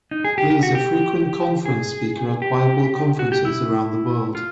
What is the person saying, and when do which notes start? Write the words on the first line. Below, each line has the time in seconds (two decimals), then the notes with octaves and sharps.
He is a frequent conference speaker at Bible conferences around the world.
0.11 D#4
0.25 G#4
0.38 G4
0.50 G4
0.63 F#4
0.75 G4
1.66 G#4
2.42 G4
3.19 F#4
3.32 G4
3.45 E4
4.35 F4